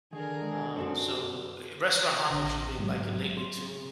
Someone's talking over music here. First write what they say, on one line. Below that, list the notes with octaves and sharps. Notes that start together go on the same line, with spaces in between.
uh, so Eh, restaurant hopping, she's been liking lately too,
D3 D#3 G#4 A#4
G#3
F#2 C4 F#4 A4 C#5
A1 D3 A#6
G#2 F#3
C6